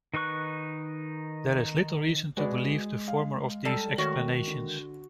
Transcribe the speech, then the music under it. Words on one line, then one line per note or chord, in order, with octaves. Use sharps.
There is little reason to believe the former of these explanations.
D#3 D#4 B4 C#6 F#6
G#3 F#4 B4 D5
F5
G3 A4 A5
D#3 A3 F#4 C#5
D3